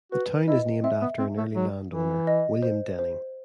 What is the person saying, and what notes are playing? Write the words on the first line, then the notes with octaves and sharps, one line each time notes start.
The town is named after an early landowner, William Denning.
F#4 B4
E4 D#5
C4 E5
B3
C4
A3
F#3
E3
D#5
C5
C5